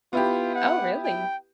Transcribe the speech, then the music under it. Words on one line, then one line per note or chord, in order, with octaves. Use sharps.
Oh, really?
B3 E4 F4 G4
F#5
G5